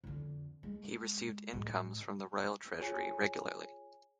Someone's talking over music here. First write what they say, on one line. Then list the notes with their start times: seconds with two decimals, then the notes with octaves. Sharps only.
He received incomes from the Royal Treasury regularly.
0.04 F2 D3
0.63 G#3
1.53 A2 G#3
2.80 F4 G#4 C#5 G#5